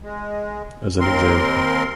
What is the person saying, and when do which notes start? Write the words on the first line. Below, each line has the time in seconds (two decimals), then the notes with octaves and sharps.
As an example.
0.01 G#3
1.00 D#2 C4 A#4 C6